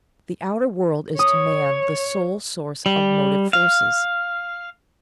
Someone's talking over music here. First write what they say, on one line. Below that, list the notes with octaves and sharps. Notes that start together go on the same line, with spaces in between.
The outer world is to man the sole source of motive forces.
C#5 D#6
G3
F5